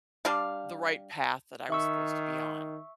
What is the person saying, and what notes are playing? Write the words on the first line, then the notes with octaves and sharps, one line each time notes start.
the right path that I was supposed to be on,
G3 D4 F5
D#3 E5 C#6 E6